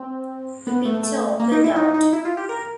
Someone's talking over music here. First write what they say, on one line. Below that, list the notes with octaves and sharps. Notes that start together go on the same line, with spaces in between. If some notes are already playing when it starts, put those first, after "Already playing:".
The picture opened out.
Already playing: C4
B3
A3
A3
A#3
D#4
E4
D#4
D#4
E4
F4
G4
A#4